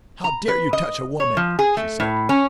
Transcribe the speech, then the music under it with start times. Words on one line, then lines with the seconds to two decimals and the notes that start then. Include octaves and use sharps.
"How dare you touch a woman?" she said.
0.24 A#5
0.48 B4
0.73 D#5
1.20 C#5
1.37 F3
1.59 G#4
1.77 A3
2.00 A2
2.29 C#4